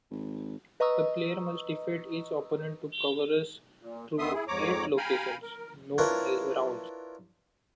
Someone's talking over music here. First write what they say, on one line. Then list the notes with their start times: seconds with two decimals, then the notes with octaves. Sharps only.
The player must defeat each opponent to progress through eight locations, known as rounds.
0.11 G#1
0.80 B4 D#5 A#5 C#6 D#6 E6
3.82 A#2
4.18 D2 D#3 B3 E5 C6 D#6
4.33 E4 G#4
4.48 F2 G#2 C#5 A#5 D6
4.97 F5 G5 G#5 A#5 B5
5.42 A#4
5.98 D4 E4 F4 A#4 B4 C#5